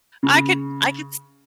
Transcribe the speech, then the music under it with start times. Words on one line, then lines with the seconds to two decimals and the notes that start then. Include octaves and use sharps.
I could I could s
0.23 C#3